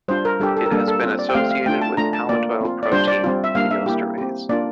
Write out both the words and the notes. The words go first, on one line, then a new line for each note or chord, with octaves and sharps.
It has been associated with palmitoyl-protein thioesterase.
G3 D4 F4 C5
A#4
G3 D4 G4 A4
A4
A#4
G3 A#3 D4 A4
A4
C4 F4
D5
G5
A3 C4 G4 F5
F5
A3 D4 F4 G5
A5
A3 D4 F4 A#5
A5
A#3 F4 D5
C4 F4
D5
G3 D4 F4 C5
D5
G3 C4 F4
E5
G3 A#3 D4 F5
E5
A#3 E4 G4
C4 G4
A#3 D4 F4 D5